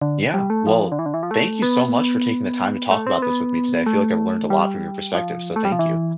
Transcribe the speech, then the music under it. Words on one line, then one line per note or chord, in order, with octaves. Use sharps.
Yeah. Well, thank you so much for taking the time to talk about this with me today, I feel like I've learned a lot from your perspective, so thank you.
D3
G3
A3
F3
D3
E3
D3
E3
F3
A3
B3
A3
C4
B3
A3
G3
F3
A3
G3
F3
E3